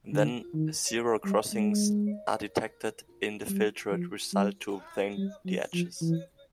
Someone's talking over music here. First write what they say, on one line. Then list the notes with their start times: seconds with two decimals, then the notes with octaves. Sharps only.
Then, zero crossings are detected in the filtered result to obtain the edges.
0.13 D3
0.54 D#3
1.24 G3
1.53 G#3
3.49 G3
3.91 F3
4.33 G3
5.17 G3
5.46 F#3
5.74 F3
6.02 E3